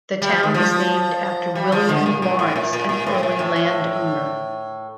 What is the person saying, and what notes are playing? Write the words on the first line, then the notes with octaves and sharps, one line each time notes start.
The town is named after William Lawrence, an early land owner.
G3
F3
D#3
F3
G3
F3
D3
A#2
A#2
A2
A#2
A#2
A#2
A2
A#2
A2
A2